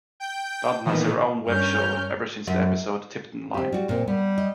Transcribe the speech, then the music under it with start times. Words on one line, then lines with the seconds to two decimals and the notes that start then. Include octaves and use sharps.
London has her own web-show, ever since the episode Tiptonline.
0.20 G5 G6
0.85 A#2 D#3 E3 B3
1.47 G2 C#4 A#4 F6 G6
2.47 F#2
3.54 C4 G4
3.72 G3 F#4
3.89 A#2 C4
4.08 G3 B3
4.38 D#5